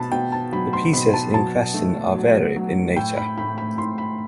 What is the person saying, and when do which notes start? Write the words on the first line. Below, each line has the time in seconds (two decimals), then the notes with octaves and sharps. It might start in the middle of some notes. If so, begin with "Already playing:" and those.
The pieces in question are varied in nature.
Already playing: B2 A5 B5
0.12 B2 G5
0.32 A5
0.53 F#3 B5
0.73 C6
0.93 B2 B5
1.14 A5
1.34 F#3 A5
1.74 A3
2.15 F#3
2.56 F#3
2.96 A2 G5
3.17 B5
3.37 A2 B5
3.58 B5
3.78 A2 C6
3.98 B5